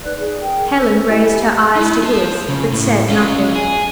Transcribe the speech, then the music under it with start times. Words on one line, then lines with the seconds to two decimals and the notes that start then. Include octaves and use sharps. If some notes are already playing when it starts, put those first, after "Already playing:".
Helen raised her eyes to his, but said nothing.
0.04 D#4 B4 D5 F#6
0.19 G#4 D5
0.41 G#4 A#4 G5
0.75 A4 B4 E6
1.07 E4 G4 D#5 G#5
1.76 D#4 E4
2.03 F4 A5
2.49 C#3
2.72 A2
3.10 C#4 F4
3.56 G#4